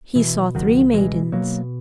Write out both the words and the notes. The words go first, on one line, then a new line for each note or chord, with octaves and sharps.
He saw three maidens.
B2 E3
C#2 D#3 F#3
B2 E3 G#3
B2 F#3 A#3